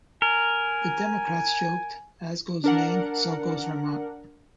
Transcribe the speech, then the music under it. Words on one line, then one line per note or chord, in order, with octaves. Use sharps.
The Democrats joked, As goes Maine, so goes Vermont.
A#4 G#5
D4 A#4 F#5